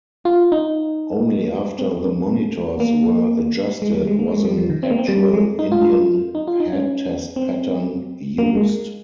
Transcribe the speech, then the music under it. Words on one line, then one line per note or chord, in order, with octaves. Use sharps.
Only after the monitors were adjusted was an actual Indian-head test pattern used.
F4
D#4
C4
A#3
G#3
G3
G#3
A#3
G#3
G3
F3
D#3
C4
A#3
C4
G3
G#3
D#4
F4
D#4
F4
D#4
C#4
C4
A#3
G#3